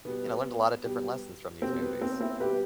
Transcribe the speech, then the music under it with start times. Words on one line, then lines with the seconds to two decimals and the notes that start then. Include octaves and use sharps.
you know, learned a lotta different lessons from these movies.
0.05 B2 G3 B3
0.84 B2 G3
1.62 B2 G3 C4
1.81 B3
2.01 C4
2.20 C4 E4
2.40 B2 G3 G4 B4